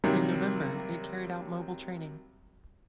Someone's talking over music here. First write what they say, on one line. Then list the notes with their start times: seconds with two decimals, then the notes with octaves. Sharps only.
In November it carried out mobile training.
0.04 C3 D#3 F#3 G3 A#3